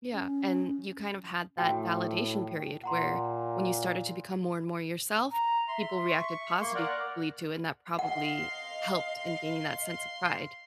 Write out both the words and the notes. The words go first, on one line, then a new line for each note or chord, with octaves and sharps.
Yeah, and you kind of had that validation period where when you started to become more and more yourself, people reacted positively to, and that probably helped in gaining that sense of pride.
C#4
A2 F#4 G5
A#2 F#5 A#5 C6
A#5
E5 C6
C#6
A#3 C6 C#6
A#4 D5 F#5
D#5 F5 F#5 C6